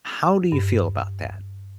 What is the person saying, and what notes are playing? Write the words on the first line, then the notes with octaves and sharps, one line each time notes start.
how do you feel about that?
G2